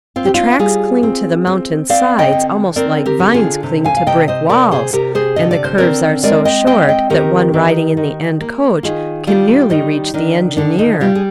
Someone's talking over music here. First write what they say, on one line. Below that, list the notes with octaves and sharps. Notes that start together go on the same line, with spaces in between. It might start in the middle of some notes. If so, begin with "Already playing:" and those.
The tracks cling to the mountain sides almost like vines cling to brick walls, and the curves are so short that one riding in the end coach can nearly reach the engineer.
C4 F4
G4
D4 F4
G3 F4 G#4
C4
C4
C4 D5 F5
D#5 G5
D3
C4 A#4 D5
G4 A#4
D3
F4 G#4
C3
F5 G#5
F5
C3 D#5 G5
C5 D#5
C3 A#4 D5
G#4 C5
C3 G4 A#4
G#4 C5
D3 D#5
D5
C5
C4 A#4 D5
G#3 A#4 D5
D#5 G5
C4 D#5 G5
D#5 G5
D#3 G4 A#4
D#3
D#3
A#3
D#3 F4 G#4
G3 D4 F4
D#3 D#4
D#3 D4
D3 D4
D#4
G3 D4 F4
G#4